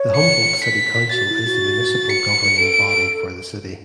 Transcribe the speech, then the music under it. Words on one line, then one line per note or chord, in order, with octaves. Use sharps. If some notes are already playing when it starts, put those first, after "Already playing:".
The Humboldt City Council is the municipal governing body for the city.
Already playing: C#5
C#7
B6
F#4 A6
E4
F#4
C#7
A4 D7